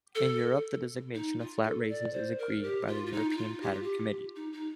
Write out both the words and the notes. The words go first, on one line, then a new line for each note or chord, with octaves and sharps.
In Europe the designation of flat races is agreed by the European Pattern Committee.
A4
D#4
F4
A4
D5
C5
A#4
G4
F4
F4
D#4
D#4
F4
G4
F4
G4
D#4
D#4